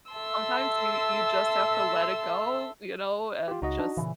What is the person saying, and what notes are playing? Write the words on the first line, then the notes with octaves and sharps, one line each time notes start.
sometimes you you just have to let it go, you know, and just
A4 E5 A5 C6 E6
F4 G4
C#2 D#4 F#4 D#5
D4
A#2 C#3 E3